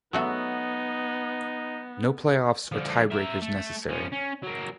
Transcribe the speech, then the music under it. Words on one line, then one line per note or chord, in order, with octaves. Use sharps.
No playoffs or tie-breakers necessary.
F#3 A3 B3 D#4 F#4
D3 F3
A#4 E5
A3
F3 C#4
C#4
F#3 A#3